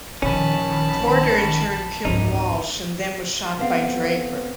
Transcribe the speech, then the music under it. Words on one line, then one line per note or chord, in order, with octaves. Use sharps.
Porter in turn killed Walsh and was then shot by Draper.
A#1 D#3 C#4 A5 B5
G#1 C#2 F#2 D#4
B3 C4 A4 F5